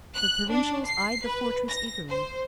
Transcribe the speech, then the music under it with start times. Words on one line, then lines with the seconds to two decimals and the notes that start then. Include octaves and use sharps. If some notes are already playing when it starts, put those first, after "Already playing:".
The Provincials eyed the fortress eagerly.
0.16 F#6
0.51 D4
0.87 C7
1.26 B4
1.69 A#6
2.09 C5